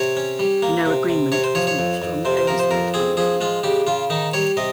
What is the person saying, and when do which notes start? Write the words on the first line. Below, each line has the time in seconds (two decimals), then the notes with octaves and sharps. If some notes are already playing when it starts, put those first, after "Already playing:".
No agreement was reached on the oversight function.
Already playing: C3 C#5
0.17 C#4
0.39 G3
0.62 A#3
0.86 C3
1.09 C3
1.32 C3 C#5
1.44 C5
1.55 F3 C#5
1.67 C#5
1.79 F2
2.02 F2
2.25 C3 C5
2.37 C5
2.47 F3 A#4
2.60 C5
2.71 F2 A#4
2.94 C4 G#4
3.17 F3 G#4
3.41 G#3 F4
3.63 C#3 G4
3.87 C#3 F4
4.10 D#3 D#4
4.33 G3 C#5
4.57 C3 D#5